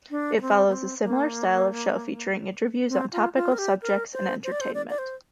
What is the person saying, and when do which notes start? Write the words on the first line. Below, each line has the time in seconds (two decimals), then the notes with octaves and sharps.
It follows a similar style of show, featuring interviews on topical subjects and entertainment.
0.11 D4
0.37 A#3
0.42 C4
0.67 A#3
0.73 C4
1.03 A#3
2.89 C4
3.12 F4
3.36 F4
3.52 A#4
3.58 G4
3.82 A#4
4.13 C5
4.44 C5
4.52 D5
4.61 C5
4.74 D5
4.90 D5
4.98 C5